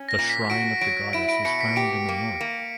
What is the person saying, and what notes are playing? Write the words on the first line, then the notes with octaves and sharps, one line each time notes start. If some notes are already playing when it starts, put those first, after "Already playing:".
The shrine of the Goddess is found in the north.
Already playing: C#4
A#6
A#2
B6
F#4 D7
F#3 D7
E4 D7
D7
B2 C#7
B6
G4 D7
A#3
A#3